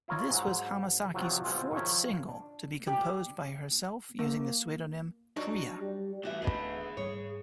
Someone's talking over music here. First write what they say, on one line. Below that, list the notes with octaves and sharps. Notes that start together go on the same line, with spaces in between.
This was Hamasaki's fourth single to be composed by herself using the pseudonym "Crea".
E4 F4 A#4 C#5 D#5
G#2 F#3
C3 D#3 F3 F#3
G1 B2 G#3 C4 F4
D#3 F3 A#4 C#5 E5
D4
G4
A#3
F#3 D4 D#4
G3
A2 E3 G3 F#4 E5
D1 D3 A3 B3 G#4 D#5 B5
G#2 G3 C#5